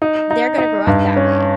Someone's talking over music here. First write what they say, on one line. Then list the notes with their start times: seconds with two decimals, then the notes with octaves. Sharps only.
they're gonna grow up that way.
0.02 D#4
0.31 D#4
0.58 D#4
0.87 G2
1.16 C#4